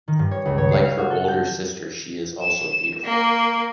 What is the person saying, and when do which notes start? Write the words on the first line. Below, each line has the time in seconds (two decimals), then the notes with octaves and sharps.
Like her older sister, she is also beautiful.
0.08 D#3
0.19 G2
0.31 C#5
0.46 C#2
0.58 C#5
0.71 C7
0.85 F5
0.97 F#4
1.11 A4
1.28 G6
2.41 E7
3.03 A#3